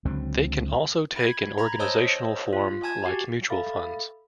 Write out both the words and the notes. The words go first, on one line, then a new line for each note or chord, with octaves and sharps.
They can also take an organizational form like Mutual Funds.
C#2 D3 F#3 C4
B5 G#6
A#5 B5 G#6
C5 C#5 D#5 A5 D#6 E6
F4
G#5 A5 G#6
F#4 G4
A4 E5 F5 B5 A6